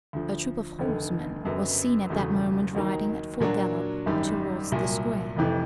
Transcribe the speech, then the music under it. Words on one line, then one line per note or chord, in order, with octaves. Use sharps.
A troop of horsemen was seen at that moment riding at full gallop towards the square.
D2 D3 F3
F1 D#2 D3
F#1 F#2 D3 F#3 B3
E1 E2 C#3 F#3 A3
D#2 D#3 F#3 A#3 D#4
A#2 F#3 A#3 D4 F#4
G#1 F#2 D#3 G3
C2 A#2 F#3
F1 F2 C3 E3 A3